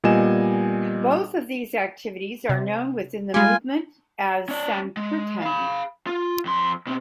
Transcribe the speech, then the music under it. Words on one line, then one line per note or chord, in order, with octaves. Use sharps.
Both of these activities are known within the movement as "Sankirtan".
A#2 G3 B3 D#5 G#5 E7
C3
G3 G#3 F4 G#5
C#4 D5
G#3
F5 B5
F4
F2 C6
B2 C4